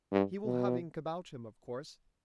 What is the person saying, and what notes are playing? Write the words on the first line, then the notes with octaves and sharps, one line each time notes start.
He will have ink about him, of course.
G2
B2